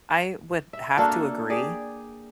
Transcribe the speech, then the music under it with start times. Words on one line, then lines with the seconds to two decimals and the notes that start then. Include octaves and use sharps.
I would have to agree
0.73 E5
0.98 A#3 D4 F#4 A4
1.50 G4 G#4 D5